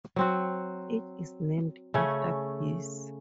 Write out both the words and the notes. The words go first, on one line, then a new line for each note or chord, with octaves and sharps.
It is named after bees.
F#3 C4 F#4
C#3 A3 C#4